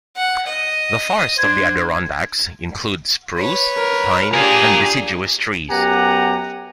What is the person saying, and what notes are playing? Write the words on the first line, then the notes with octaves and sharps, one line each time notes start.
The forests of the Adirondacks include spruce, pine and deciduous trees.
F#5
D#5
D4 C5 G#6
B4 C#5
A#4
D4 F4 G4 G#4 A#4 G#5
F#2 B3 G4 F#5 G#5 A#5